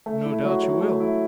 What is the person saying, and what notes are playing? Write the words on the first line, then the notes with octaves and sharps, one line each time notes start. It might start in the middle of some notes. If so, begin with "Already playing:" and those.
"No doubt you will!"
A3
E4
F#3
F#3
A3
E4